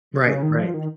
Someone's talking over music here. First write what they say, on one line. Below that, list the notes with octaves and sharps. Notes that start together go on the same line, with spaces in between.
Right, right.
C#3
D#3
F3
D#3